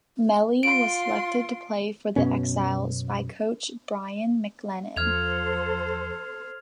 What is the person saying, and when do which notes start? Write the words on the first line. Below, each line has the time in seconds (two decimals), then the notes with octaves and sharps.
Meli was selected to play for the Exiles by coach Brian McLennan.
0.63 F4 C6 D7
2.16 F#2 B2 B3 C#4
4.96 E2 F3 A4 C5 F6 G#6 F7